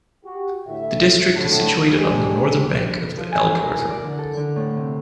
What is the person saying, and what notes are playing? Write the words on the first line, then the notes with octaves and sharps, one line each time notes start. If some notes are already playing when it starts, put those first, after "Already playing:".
The district is situated on the northern bank of the Elbe River.
F#4 G4
A2 D3 E5
A2 D3 A5
G2 G#3 D4 G4
F3
G#5
E4
A#4
G#5
D5
D3
A4
D3
A2
C3